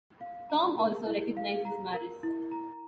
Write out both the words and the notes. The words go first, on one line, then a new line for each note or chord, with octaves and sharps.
Tom also recognizes Maris.
F5
A#5
A#4
E4
F5
A#5
A#4
E4
A#5